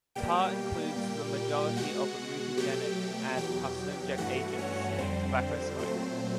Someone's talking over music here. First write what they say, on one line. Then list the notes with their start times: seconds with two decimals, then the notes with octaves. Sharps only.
Tar includes the majority of mutagenic and carcinogenic agents in tobacco smoke.
0.15 B2 G3 A#3 G4 G5
0.96 A#2 G3 A#3
1.77 B2 G#3 F#4 F#5
2.57 B2 F#3 A3 G4 G5
3.37 E2 B2 F#3 G4 G5
4.18 G2 E3 A3 F#4 F#5
4.58 C#4 C#5
4.98 F2 D3 G3 C4 C5
5.79 A#2 F#3 A3 C4 C5